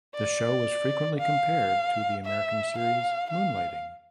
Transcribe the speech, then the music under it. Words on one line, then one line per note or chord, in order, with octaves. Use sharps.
The show was frequently compared to the American series "Moonlighting".
D5
F5
E5
F5
F5